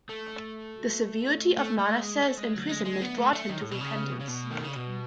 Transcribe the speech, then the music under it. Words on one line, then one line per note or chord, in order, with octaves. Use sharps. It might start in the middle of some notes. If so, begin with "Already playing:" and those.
The severity of Manasseh's imprisonment brought him to repentance.
A3
A3
A3
G#3
A3
G#3
F#3
G#3
G#3
B3
A3
A3
D#3
A2
B2
C#3
B2
C#3
B2
D#3
C#3
B2